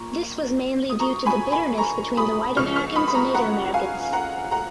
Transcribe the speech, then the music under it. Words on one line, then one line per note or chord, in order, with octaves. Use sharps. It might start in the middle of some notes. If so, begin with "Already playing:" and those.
This was mainly due to the bitterness between the White Americans and Native Americans.
Already playing: A#2 A#5 C#6
D#6
A#5 C#6
G#5 B5
G#5 B5
A#5 C#6
B5 D#6
C#2 C#3 F3 C#6 F6
C#6 F6
B5 D#6
B5
A#5 C#6
F#5 A#5
F5 G#5
F#5 A#5
F#5 A#5